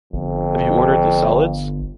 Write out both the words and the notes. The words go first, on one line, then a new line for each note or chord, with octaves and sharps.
Have you ordered the solids?
G1 F2